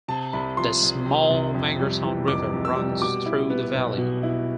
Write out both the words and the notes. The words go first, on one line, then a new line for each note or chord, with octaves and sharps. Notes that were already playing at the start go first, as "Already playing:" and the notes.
The small Mangerton River runs through the valley.
C3 A5
C2 B5
F3 C6
C2
C3
C2
F2
G3
E3
F1 D6
F2
E6
G3
B2 D6
E4
B3
B1
B2
E4